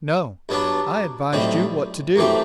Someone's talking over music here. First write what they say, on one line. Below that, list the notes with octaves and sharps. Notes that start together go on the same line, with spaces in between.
"No, I advised you what to do!"
G2 F#3 B3 D4
B1 A2 G3 C4
F#2 E3 A3 C4 G4